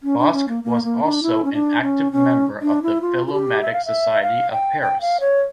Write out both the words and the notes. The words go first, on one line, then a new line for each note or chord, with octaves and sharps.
Bosc was also an active member of the Philomatic Society of Paris.
C#4
D4
C#4
A#3
A#3
A#3
D4
E4
C#4
D4
C#4
C#4
D4
E4
F4
F4
G4
E5
F5
E5
F5
G5
G5
F5
C#5